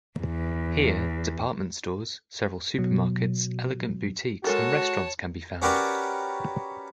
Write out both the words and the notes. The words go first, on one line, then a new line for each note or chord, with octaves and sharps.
Here department stores, several supermarkets, elegant boutiques and restaurants can be found.
E2
B2 F#3
G#3 F#4 A4 A#4 C#5 A5
C#4 F#4 G4 A#4 B4 D5